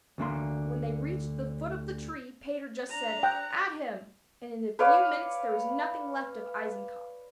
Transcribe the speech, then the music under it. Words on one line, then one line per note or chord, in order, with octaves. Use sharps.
When they reached the foot of the tree Peter just said: 'At him!' And in a few minutes there was nothing left of Eisenkopf.
D2 D3 A#3 C6
D4 A#5
G5 F#6
B4 C#5 D5 F5